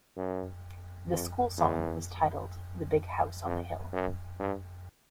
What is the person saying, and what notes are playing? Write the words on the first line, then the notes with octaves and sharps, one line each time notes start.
The school song was titled "The Big House on the Hill".
F#2
F2
E2
F2
F#2
G2